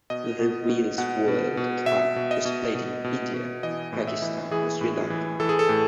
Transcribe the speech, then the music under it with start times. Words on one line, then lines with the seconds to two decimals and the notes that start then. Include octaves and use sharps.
The Wills World Cup was played in India, Pakistan and Sri Lanka.
0.10 B2 D#5
0.39 B2
0.69 B2
0.98 B2 F#5
1.28 B2
1.57 B2
1.86 B2 E5
2.16 B2
2.31 D#5
2.45 B2
2.75 B2
3.04 B2
3.34 B2
3.63 E3 D#5
3.93 A2
4.07 E5
4.22 E3
4.51 E3 G#4
4.81 A2
5.10 E3
5.40 E3 A4
5.49 G#4
5.59 A4
5.69 A2